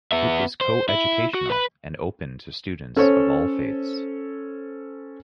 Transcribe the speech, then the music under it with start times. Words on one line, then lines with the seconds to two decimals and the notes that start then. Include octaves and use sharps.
It is coeducational and open to students of all faiths.
0.12 B3 E5
0.61 C5
0.89 E4
1.34 F#4
1.50 B4 B5
2.96 C#4 A4 C5 C#5